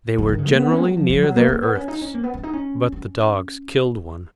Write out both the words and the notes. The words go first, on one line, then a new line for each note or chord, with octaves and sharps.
They were generally near their earths, but the dogs killed one.
F#3
D#3
C#3
A#3
B3
C#4
F#3
F3
F3
F#3
A#3
A#3
B3
C#4
D#4
C#4
A#3
B3
C#4
D#4
C#4
C#4